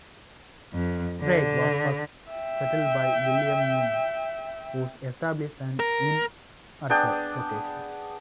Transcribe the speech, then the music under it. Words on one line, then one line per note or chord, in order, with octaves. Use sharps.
Sprague was first settled by William Newman, who established an inn at the location.
F2
D3
E5 G5
A#4
B3 D4 G#4 G5